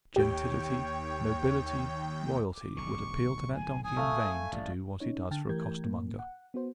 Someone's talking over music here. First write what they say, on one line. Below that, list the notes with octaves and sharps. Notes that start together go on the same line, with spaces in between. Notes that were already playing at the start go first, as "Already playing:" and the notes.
Gentility, nobility, Royalty, would appeal to that donkey in vain to do what he does for a costermonger.
D#2 G4 C#5 G5
D6
D1 B1 D3 C#6
G#5
G#5 D#6
A3 F5
A1 D5
C#4 D#4 C#5
D3 G5 A5 F6 A6
E3 A3 G4 A#4 G6 G#6
A2 A#3
F#5
B3 F#4 C5